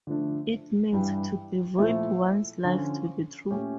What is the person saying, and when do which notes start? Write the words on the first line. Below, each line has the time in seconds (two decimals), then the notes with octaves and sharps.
It means, To devote one's life to the truth.
0.07 D3 F3 A3 D4
0.93 G2 E3 G3 D4
1.78 A#2 F3 A3 E4
2.65 D3 F3 C#4 F4
3.50 A#2 A3 C#4 G4